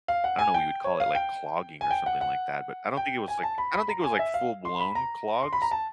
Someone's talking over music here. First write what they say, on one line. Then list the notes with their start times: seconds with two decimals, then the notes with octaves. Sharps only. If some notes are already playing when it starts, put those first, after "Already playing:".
I don't know what you would call it, like, clogging, or something like that, but I don't think it was, like I don't think it was, like, full-blown clogs.
0.08 F5
0.24 F#5
0.39 G#5
0.54 G5
0.84 C#5
1.00 F5
1.15 G5
1.81 G#5
1.91 G5
2.06 F#5
2.21 F#5
2.97 G5
3.28 G#5
3.43 A5
3.58 B5
3.74 B5
3.88 A#5
4.04 G#5
4.19 E5
4.34 F5
4.65 C6
4.80 B5
4.95 A#5
5.43 C6
5.53 B5
5.62 A#5
5.71 A5